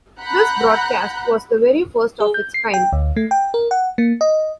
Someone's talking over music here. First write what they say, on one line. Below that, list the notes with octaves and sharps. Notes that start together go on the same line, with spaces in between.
This broadcast was the very first of its kind.
F#5 A#5 B5 F#6 G6
G#4
G6
C7
G5
D2
A3
G5
A#4
F#5
A#3
D#5